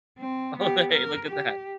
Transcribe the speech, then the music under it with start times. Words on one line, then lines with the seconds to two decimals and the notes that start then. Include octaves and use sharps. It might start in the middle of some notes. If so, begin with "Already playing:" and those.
Oh, hey, look at that.
0.18 C4
0.59 B3 G4
0.93 A#4
1.29 G4